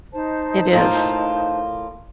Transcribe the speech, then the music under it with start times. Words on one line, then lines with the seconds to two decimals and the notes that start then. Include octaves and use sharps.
It is.
0.13 D#4 C5 A5
0.73 A2 A#3 F4